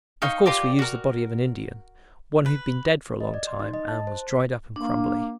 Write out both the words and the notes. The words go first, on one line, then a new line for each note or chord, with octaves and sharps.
Of course we used the body of an Indian, one who had been dead for a long time and was dried up and crumbly.
D#4 F5 G5 C#6
F4 G4 A#4 D5
F#4 A#4
B4
D#5
D5
C6
D#4
D#5
A5
C5
B6
A#3 D4